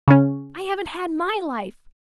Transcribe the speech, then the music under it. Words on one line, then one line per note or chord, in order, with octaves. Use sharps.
I haven't had my life.
C#3 C#4